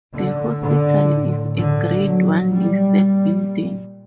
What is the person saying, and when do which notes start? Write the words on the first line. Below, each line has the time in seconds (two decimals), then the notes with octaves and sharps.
The hospital is a grade one listed building.
0.14 A2 D3
0.62 D3
1.09 A2
1.56 D3
2.04 A#2 F#3
2.52 G3
2.98 A#2